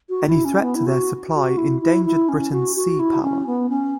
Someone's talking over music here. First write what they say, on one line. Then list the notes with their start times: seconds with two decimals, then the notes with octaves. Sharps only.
Any threat to their supply endangered Britain's sea power.
0.09 F#4
0.28 E4
0.45 C#4
0.63 B3
0.75 E4
0.86 F#4
1.34 F#4
1.58 E4
1.81 E4
2.05 E4
2.29 C#4
2.52 F#4
2.76 F#4
3.00 E4
3.23 C#4
3.47 B3
3.70 C#4